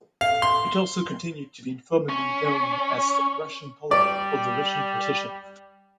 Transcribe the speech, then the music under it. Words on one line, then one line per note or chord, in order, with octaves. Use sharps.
It also continued to be informally known as Russian Poland or the Russian partition.
F5
C6
C#4
G3 D5